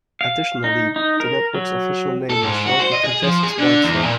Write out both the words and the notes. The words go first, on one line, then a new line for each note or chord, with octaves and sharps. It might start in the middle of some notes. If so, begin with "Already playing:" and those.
Additionally, the network's official name was shortened to just Sportsnet.
F5
D#4
D#4
A#4
F#3
A4
G#2
F#4
C5
D#5
G#4
F3
G#4
D3
E2
A#2